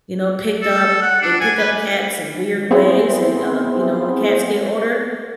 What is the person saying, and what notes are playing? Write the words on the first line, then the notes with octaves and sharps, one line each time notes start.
you know, picked up they pick up cats in weird ways, and, u um, you know, when the cats get older,
A4
F#5
D4
G#5
B4
B3 C4 E4 G#4 C5